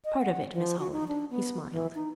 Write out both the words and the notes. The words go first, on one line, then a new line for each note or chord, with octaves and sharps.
"Part of it, Miss Holland," he smiled.
D#5
F#5
F3
F#4
D#4
D4
B3
E3
D#4